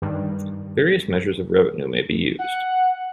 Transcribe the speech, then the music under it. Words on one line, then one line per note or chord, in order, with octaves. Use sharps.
Various measures of revenue may be used.
G2 D#3
F#5